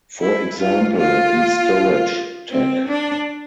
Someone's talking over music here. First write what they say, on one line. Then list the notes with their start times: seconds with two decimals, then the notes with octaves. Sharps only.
For example, in Storage Tech.
0.21 E4
0.59 F4
0.97 F4
2.51 C4
2.89 D4